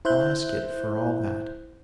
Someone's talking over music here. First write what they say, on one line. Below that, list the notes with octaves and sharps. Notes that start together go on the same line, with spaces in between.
'I'll ask it for all that.
E4 C5 E5 F#6 G6